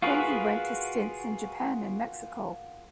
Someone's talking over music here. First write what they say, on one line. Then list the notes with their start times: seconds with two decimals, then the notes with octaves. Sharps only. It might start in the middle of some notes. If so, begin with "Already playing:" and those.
Then he went to stints in Japan and Mexico.
0.02 F4 F#4 G#4 A#4 B4